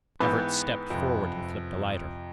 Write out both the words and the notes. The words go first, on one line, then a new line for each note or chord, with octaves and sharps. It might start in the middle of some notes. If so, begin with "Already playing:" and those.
Everts stepped forward and flipped a lighter.
G#2 E3 B3 B4 G5
F2 C3 C4